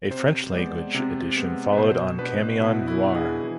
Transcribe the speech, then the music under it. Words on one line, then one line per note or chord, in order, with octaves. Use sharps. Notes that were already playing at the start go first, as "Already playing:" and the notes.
A French language edition followed on Camion Noir.
C3 C5
G#3 B3 D5
C3
G#3 B3
B4
B2 C5
B3 D4 B4
B2 E4
E4
B3 D4
G#4
E3